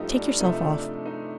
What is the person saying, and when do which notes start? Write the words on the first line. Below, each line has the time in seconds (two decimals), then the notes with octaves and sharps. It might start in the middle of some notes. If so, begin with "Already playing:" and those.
Take yourself off.
Already playing: G2 F3 A3 D#4 G4
0.11 D4
0.40 C3 F3 A3 D#4
0.62 D4
0.84 D4
1.06 D#4